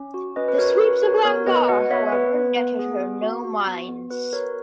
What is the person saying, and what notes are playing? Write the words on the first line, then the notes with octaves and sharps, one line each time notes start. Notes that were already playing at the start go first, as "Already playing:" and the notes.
The sweeps of Angaur, however, netted her no mines.
Already playing: C#4
F#4
C#4 B4 D#5
B4
F#4 A#4 C#5
F#4 B4
F#4 A#4 C#5
B3 A#4 C#5
B3 B4 D#5
F#4 D#5 F#5
B3 C#5 E5
B3 B4
B3
B3
G#4
B3
F#4
F#4
B3
B3
F#4 B4
F#4 A#4 C#5